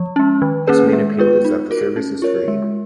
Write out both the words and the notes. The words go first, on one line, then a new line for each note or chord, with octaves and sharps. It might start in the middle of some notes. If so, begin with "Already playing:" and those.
Its main appeal is that the service is free.
Already playing: F3
G#3 C#4
D#3
A#3 C#4 G#4 B4
G#3
B3 F4 B4
D#4
F#4 A#4
C#4
F4 A#4 C#5
G#3